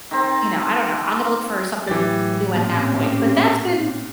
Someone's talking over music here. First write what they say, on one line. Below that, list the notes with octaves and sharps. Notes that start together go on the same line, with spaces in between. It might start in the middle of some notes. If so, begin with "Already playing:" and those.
you know, I don't know I'm gonna look for something new at that point, but that's been,
D#3 C4
A2 E3 F#3 G4 A6
A#2 C4 C#4 G4